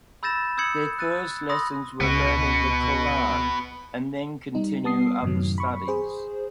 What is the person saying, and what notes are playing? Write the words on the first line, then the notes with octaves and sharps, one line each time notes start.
Their first lessons were learning the Quran and then continue other studies.
B5 E6 G6 A6 A#6 E7
D#6 E6 G6 G#6 C#7 F#7
F#6 A6 D#7
B5 C6 D#6 E6 A#6
C#2 B3 F#4
G3 D#4
G3 B3 A5 D#6 C7
F#2 A2 C3 D#3 F#3
B5 C#6
G#4 C5